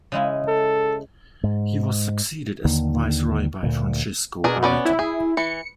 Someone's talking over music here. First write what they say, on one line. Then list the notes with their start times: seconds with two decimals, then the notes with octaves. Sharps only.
He was succeeded as viceroy by Francisco Barreto.
0.12 C#3 G#3 E4
0.48 A4
1.43 G#2
2.65 D#2 D3 D#3 A#3
3.63 D2 A#2
4.44 B2 D4 G#4 A#4
4.63 B3 C#4 D5
4.85 E4
4.99 G#4
5.37 E3 C#7